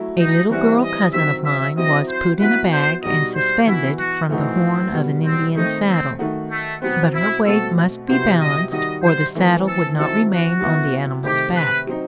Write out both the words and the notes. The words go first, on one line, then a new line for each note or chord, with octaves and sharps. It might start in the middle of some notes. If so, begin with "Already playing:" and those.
A little girl cousin of mine was put in a bag and suspended from the horn of an Indian saddle; but her weight must be balanced or the saddle would not remain on the animal's back.
Already playing: F#3 A3 E4
D#4
E3 G3 C4 E4 F#4
D#5
D#3 F#3 C4 E5
E5
F#3 C4 E4 D#5
C5
F#3 B3 E4 B4
C5
B2 G3 D#4 F#4 D#5
C5
E3 B3 E4 F#4
F#4
A2 E3 A3 C4 D#4 F#4
B2 G3 B3
C4
D#3 A3 C4 D#4
C4
D#3 A3 D#4 F#4
A3
B2 F#3 B3 C4
E4
B2 A3 C4 F#4 A4
C3 F#3 B3 E4 C5
D#5
D#3 G3 D#4 F#4 D#5
C5
E3 A3 C4
A4
D#3 F#3 C4 E4 A4
F#4
F#3 B3 E4
C3 D#3 A3 C4 G4
B4
F#3 C4 D#4